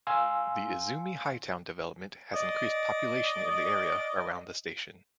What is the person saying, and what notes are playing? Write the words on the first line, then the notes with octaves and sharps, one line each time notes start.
The Izumi Hightown development has increased population in the area around the station.
F5 G#5 C6 E6
D5 D#5